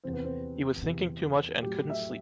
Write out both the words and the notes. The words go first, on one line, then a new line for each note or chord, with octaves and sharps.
He was thinking too much and couldn’t sleep.
E2 C3 E3 C4
B3
C4
E2 C3 E3
A2 F#3 G4
E5